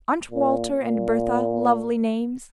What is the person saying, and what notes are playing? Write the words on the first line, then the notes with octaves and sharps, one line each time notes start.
Aren't Walter and Bertha lovely names?
A#2
A#2